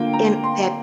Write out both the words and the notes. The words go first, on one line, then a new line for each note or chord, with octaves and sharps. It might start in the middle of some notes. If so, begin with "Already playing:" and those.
and that
Already playing: D3 A#3 F4 G5
A#5
C6